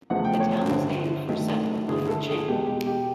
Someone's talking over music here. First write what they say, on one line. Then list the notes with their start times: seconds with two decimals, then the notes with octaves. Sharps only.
The town was named for settler William Cheney.
0.10 E2 C#3 F3 A3 F#5
0.24 G5
0.40 C#5
0.54 C5
0.69 G1 G2 D3
1.28 G2 D#3 F#3 A3
1.88 G1 G2 D3 G#4
2.08 A4
2.27 G#4
2.48 E2 B2 G#3 G4
2.67 G4
2.87 G4